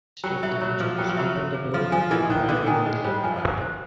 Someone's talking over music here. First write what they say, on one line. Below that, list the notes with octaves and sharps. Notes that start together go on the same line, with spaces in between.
Instead, the hijackers opened the door and fired around the aircraft.
F#3 G5
F#3 E5
F#3 C#5
F3 G#4
F#3 G5
F3
F#3 E5
C#5
G#4
F3 C6
F3 G#5
E3 D#5
D#3 C5
D3 C6
D#3 G#5
G#3 D#5
G3 C5
F3 G#5
F5
C5